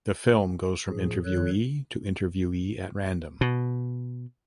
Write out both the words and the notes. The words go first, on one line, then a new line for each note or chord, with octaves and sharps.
The film goes from interviewee to interviewee at random.
A2 F3 G#4
F#2 D#3 A4 C#5 F#6
B2